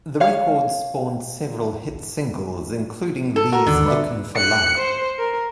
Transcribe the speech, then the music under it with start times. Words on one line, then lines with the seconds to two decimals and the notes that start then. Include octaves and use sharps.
The record spawned several hit singles, including Lee's Lookin' for Love.
0.20 C#5 F5
3.36 A4
3.53 F#4 A#4
3.67 D#2 D3
3.86 B4 D5 E5
4.36 F#6 C#7
4.77 C5
5.19 A#4